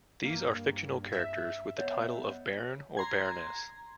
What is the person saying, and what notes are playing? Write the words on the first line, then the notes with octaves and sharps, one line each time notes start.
These are fictional characters with the title of "baron" or "baroness".
G2 A#3
E5
B3 C#5 D#5 F#5
A#5 C6 G#6